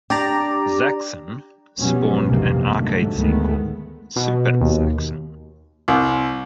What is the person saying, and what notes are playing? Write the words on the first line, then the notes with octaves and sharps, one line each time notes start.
"Zaxxon" spawned an arcade sequel: "Super Zaxxon".
D4 G4 D5 A#5
F1 B2 F#3 G3 B3 C#4
F1 B1 G2 C3 D#3 A#3
G#2 D3 F#3 A3
D2 D#3 G#3 A3 B3
B2
D#2
C2